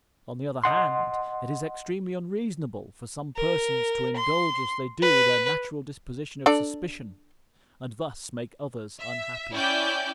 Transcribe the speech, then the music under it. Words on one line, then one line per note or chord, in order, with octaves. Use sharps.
On the other hand, it is extremely unreasonable for some persons to indulge as they do, their natural disposition of suspicion, and thus make others unhappy.
D#5 F#5 C6
A#4
C6
B4
D4 A4 D5
E5
C#4 E4 D5 G5 D6 G6